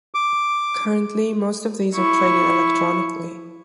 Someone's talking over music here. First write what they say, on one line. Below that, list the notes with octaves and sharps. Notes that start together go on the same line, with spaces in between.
Currently most of these are traded electronically.
D6
E4 C#6